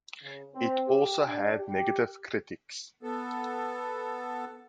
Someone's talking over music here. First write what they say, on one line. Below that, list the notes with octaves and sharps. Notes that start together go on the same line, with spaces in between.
It also had negative critics.
C#3
C4
G4
D4
G4
B3 A4